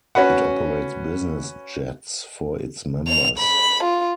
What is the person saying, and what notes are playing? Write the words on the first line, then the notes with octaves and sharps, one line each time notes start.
It operates business jets for its members.
C#4 F#4 B4 F#5
F7
B5
F4